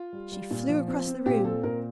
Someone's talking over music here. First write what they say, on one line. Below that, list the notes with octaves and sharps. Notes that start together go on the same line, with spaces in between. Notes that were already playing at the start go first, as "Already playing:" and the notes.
She flew across the room.
Already playing: F4
G3
G3
A#2
F3
C4
C4
A#2 G4
C4 A4
A#2 A#4